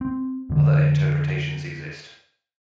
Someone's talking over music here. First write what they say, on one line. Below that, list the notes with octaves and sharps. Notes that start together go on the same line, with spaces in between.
Other interpretations exist.
C4
F2 D3